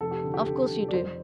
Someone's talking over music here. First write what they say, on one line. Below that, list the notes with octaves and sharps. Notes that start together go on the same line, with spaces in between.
Of course you do.
F1 A4
G4
D3
G4
D3 A4
F1
D5
F2 C5